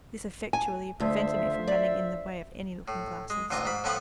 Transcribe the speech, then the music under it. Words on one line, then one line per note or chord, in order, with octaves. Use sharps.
This effectually prevented me from running in the way of any looking-glasses.
G#5
D2 F4 C5 E5
D5
A2
G#3
A1 D2 F4 G#5 A#5
G#2 B5
A2 F3 B3 F5 F#5 B5